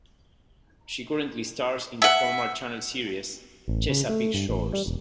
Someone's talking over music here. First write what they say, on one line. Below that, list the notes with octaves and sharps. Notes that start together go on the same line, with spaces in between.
She currently stars in the Hallmark Channel series "Chesapeake Shores".
E5 F#5
A1
C#3
A3
G2
A1
G3
E1